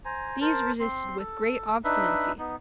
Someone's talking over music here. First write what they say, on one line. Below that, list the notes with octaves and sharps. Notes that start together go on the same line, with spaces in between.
These resisted with great obstinacy.
C5 G#5 A#5
A#4 C5 A5
C4 C6
A4
D4 D#4 B4 E5
B3 D#4